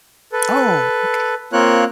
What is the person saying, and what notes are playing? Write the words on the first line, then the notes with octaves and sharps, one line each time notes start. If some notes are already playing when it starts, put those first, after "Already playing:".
Oh, okay.
A4 B4
A#3 C4 F4 A#4 C#5 F#6